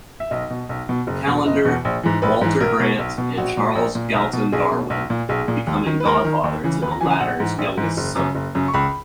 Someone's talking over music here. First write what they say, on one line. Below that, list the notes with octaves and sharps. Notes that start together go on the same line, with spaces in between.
Callender, Walter Grant and Charles Galton Darwin, becoming godfather to the latter's youngest son.
E5
B1 D#5
B2
B1
B2
F#1
E2 B2
F#1 D#5
E2 B2
A#1
G#2 E3
A#1 B4
G#2 E3
B1 A#4
B2
B1
B2
A#1 F#4
A#2
A#1
A#2
B1
B2
B1 G#4
B2
B1
A#2
B1 G#4
A#2
D#2
D#3
B4
D#2 A#4
D#3
D#2
C#3 E3
D#2 B4
A#5
C#3 E3 G#5
G#5
A#1 F#5
G#2 E3
A#1
G#2 E3
F#1
F#2 C#3
F#1
F#2 C#3
C#6
C#2 B5